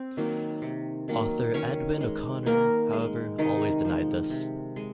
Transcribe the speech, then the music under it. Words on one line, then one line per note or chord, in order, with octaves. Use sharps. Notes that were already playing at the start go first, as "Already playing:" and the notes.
Author Edwin O'Connor, however, always denied this.
Already playing: C4
D#3 F#3 A#3
C3
D#3 F#3 A#3
D#3 C#4 C#5
G#3
D#3 A#3 A#4
G#3
C3 D#3 D#4
F3 G#3
C3
G#3